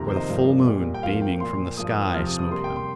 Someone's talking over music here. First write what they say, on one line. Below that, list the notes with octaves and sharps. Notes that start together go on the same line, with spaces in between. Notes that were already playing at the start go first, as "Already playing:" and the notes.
For the full moon beaming from the sky smote him.
Already playing: F2 C3 D#3 A#3 A#5
C5
D#5
G2 F3 A#3
A#2 G3 A#3
G5
F2 F3 A#3 F5
G5
A#2 F3 A#3 C6
G2 F3 A#3 D#6
D#6
D#6
F2 C3 F3 F6
D#6
D#6
C3 G3 A#3 C6
G5
C6